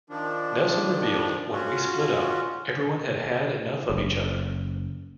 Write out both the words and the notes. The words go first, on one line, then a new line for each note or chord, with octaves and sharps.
Nelson revealed when we split up, everyone had had enough of each other.
D#3 F3 D4
C#4 F4 F#4
F#1